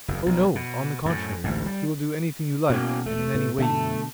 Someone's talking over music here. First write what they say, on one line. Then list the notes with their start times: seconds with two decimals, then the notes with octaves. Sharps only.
"Oh, no! On the contrary, he will do anything you like and in any way you like."
0.08 F#1 E2
0.26 B1
0.55 B2
1.06 F#2 A2
1.44 A1 D2 G#2
1.66 G3
2.70 B2 A#3 C#4 F#4
3.06 E1 A3
3.34 A2 B3
3.58 B2 D3 A3 E5 A5